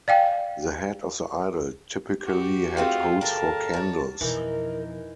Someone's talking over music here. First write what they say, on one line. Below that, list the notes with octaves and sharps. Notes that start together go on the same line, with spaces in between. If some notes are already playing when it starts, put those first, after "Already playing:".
The head of the idol typically had holes for candles.
D5 F5 G5 G#5
F#4 G4
B3 C4 D#4 F4 G#4 F5 G5
D2 G2 D3 A#4 A5
F#4 C#5
F2 B2 E3 D#4 A#4